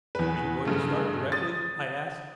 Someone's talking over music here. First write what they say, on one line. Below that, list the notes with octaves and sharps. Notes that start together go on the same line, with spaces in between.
"Are you going to start directly?" I asked.
E2 B4
G2 C#3 A3
D#6 A6